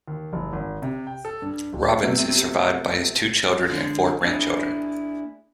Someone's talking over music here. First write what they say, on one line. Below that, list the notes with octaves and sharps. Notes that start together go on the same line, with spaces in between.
Robbins is survived by his two children and four grandchildren.
D#2
F#1
G#1
C3
G5
A4
G2
D1
C3 G3 A3 B3
D3 G#3
A#3 D4 E4 G#4